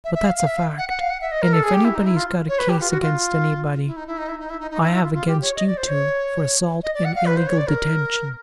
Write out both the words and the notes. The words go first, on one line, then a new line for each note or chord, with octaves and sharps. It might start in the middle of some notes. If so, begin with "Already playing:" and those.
But that's a fact--and if anybody's got a case against anybody, I have against you two for assault and illegal detention.
E5
E5
F5
F5
E5
F5
F#5
F#5
F5
F#5
E5
D#5
A#4
A4
G#4
G4
E4
D#4
E4
F4
C#5
B4
G4
F4
F#4
F4
E4
D#4
E4
D#4
E4
D#4
E4
D#4
D#4
E4
E4
F4
F4
G4
C#5
D#5
D5
C5
C#5
D#5
D5
F#5
F5
B4
C5
C#5
D5
A#4